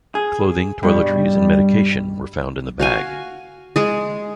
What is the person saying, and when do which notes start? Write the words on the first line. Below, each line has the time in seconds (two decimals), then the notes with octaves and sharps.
Clothing, toiletries and medication were found in the bag.
0.15 G#4
0.83 G2 B2 G3
2.80 F#4 F5 G#5
3.76 G#3 G#4